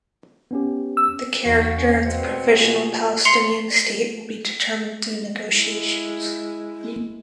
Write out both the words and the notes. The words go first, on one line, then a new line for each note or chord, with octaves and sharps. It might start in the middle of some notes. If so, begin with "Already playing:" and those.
The character of the provisional Palestinian state will be determined through negotiations.
B3 C#4 G4
E6
E2 D#3 F#4
C#4
B2 C4
A#3 F4 F#4 G#4
C6 C7 C#7 F7
G#3 E4